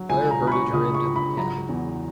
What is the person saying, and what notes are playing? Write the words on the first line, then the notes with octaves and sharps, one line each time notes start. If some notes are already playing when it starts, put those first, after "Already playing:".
Claire herded her into the cabin.
Already playing: F#3
C#2 G#5
A#5
C#2
B5
C#6
C#2 D#6
C#6
C#2
B5
F#3 A#5
E2